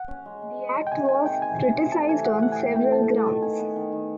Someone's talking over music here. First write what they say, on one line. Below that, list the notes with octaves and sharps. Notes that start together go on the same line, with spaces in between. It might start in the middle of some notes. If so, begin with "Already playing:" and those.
The act was criticized on several grounds.
Already playing: F#5
C#4
G#3
G#3
G#3
G#3
G5
C3 G#5
D#3 G#5
C3 G5
C3 G#5
C3
C3
A3 A5
E3 G#5
A3 F#5
A3 F#5
G#5
A2 G5
A2 G5
B3 A5
B3
A5
D#3
B3 G#5
B3
D#3
D#3